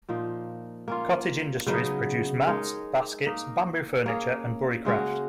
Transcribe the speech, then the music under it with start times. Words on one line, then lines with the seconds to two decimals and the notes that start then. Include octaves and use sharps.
Cottage industries produce mats, baskets, bamboo furniture, and buricraft.
0.09 A#2 F3 A#3 D#4
0.88 A#3 C#4 F4
1.67 C#3 F#3 B3 D#4
2.47 G#3 D#4 A#4 C#5
3.26 A#3 D#4 A#4 D#5
4.06 A#3 C#4 G#4
4.85 C#3 G#3 C#4 F#4